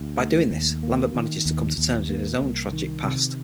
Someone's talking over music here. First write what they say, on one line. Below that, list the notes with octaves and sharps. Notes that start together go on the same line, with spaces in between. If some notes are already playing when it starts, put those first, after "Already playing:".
By doing this, Lambert manages to come to terms with his own tragic past.
Already playing: D2
A3
D#2
A#3
D#3
D#2
D#2
A#3
C2
D#3
C3